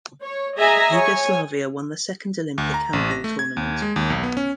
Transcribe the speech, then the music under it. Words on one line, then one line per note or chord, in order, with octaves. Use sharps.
Yugoslavia won the second Olympic handball tournament.
C#5
G#4 D#5 E5 G#5 A#5
C#5 G#5
D2
A#5
A1
A#6
A3
G#6
D#2
G#3
D#2
B1
B3
C#4